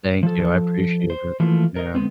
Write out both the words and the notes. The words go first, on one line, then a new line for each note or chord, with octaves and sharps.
Thank you, I appreciate it. Yeah.
F3 A4
C5
E3 F3 A3 A#3 F4
A#4 D#5
D3 G#3 B3 C4